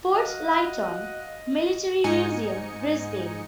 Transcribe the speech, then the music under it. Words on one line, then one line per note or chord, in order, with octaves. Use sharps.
Fort Lytton Military Museum, Brisbane.
F#4 D#5 F5 F#5
G#2 D#4 D#5 G#5 C#7